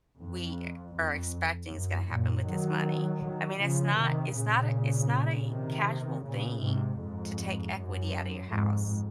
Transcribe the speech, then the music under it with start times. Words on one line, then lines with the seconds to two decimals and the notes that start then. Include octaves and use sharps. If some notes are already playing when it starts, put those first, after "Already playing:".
we are expecting is gonna happen with this money?" I mean, it's not it's not a it's not a casual thing to take equity out of your house.
0.20 F2
0.96 F2
1.71 F#2
2.09 F#2 A#2
2.47 D#3 F#3
3.22 D#3 F#3
3.60 C#3 F3
3.98 C3 D#3
4.35 A#2 C#3
5.49 C3 D#3
6.24 A#2 C#3
6.62 G#2 C3
7.00 F2 G#2
7.76 F#2
8.51 F2 G#2